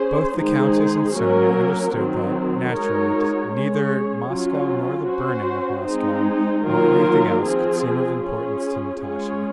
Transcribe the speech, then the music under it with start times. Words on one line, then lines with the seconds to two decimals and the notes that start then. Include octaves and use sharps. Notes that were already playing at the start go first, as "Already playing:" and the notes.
Both the countess and Sonya understood that, naturally, neither Moscow nor the burning of Moscow nor anything else could seem of importance to Natasha.
Already playing: C#4 G#4 C5
0.35 D#3 G#3 D#4 G#4 C5
1.15 F#3 A#3 C#4 F#4 A#4
1.93 D#3 F#3 C4
2.71 G#3 D#4 F#4 A#4 C#5
3.50 G#3 C#4 G#4 C#5
4.28 F#3 C#4 F4
5.07 C#4 F#4 C5
5.85 G#3 C4 D#4
6.64 D#3 F#3 A#3 F4 A#4
7.42 F3 C4 F4 G#4
8.21 C#4 F4 G#4
8.98 G#3 C#4 F4 G#4 C#5